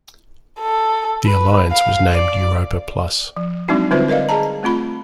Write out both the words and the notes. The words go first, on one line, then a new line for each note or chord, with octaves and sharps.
The alliance was named Europa Plus.
A4
B4
F5
D5
F3
F#3 G#3 C4 D4 D#4 F#4
D3 G3 C4 F4 B4 C5
A#4 B4 D5 D#5 F5
G#4 D#5 A5 A#5
A3 C4 F4 B5